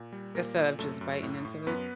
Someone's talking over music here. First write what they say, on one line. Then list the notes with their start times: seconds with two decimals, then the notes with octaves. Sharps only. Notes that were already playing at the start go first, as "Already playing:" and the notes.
Instead of just biting into it.
Already playing: A#2
0.12 G3
0.35 A#2 A#3 A#4
0.57 A#2
0.79 F#2 A3 A4
1.01 F#2
1.23 A2
1.45 A2
1.67 F#2 B3 B4